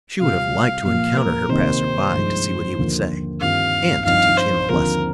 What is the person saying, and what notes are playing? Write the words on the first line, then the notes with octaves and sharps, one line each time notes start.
She would have liked to encounter her "passer-by," to see what he would say, and to "teach him a lesson!"
C3 G3 C4 F4 F5
A#2 F3 A#3 F4 F5
A#4
C3 D#3 A#3 D#4 C5
G2 F3 G#3 D#4
D#2 D3 F3 A#3 F4
G2 D#3 G3 C4 F4 F5
G2 F3 C4 D#4 F5
C5
D#2 D3 F3 C4 F4 A#4